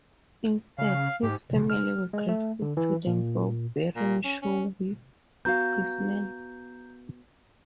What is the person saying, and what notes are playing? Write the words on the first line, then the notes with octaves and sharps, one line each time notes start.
Instead, his family were grateful to them for burying Shaw with his men.
C#3 F5
G#2 G4
F6
G#3
A3
D3
E3
A#2
A#2
C#4
C#4
B3 F#4 F5 A#5 G6